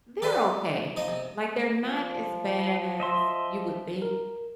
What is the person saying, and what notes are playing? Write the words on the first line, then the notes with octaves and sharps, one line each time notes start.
They're okay. Like, they're not as bad as you would think,
G4 A4 D5 E5
F3 D#4 D#5
C3
F3
D#5 E5 C6
A#4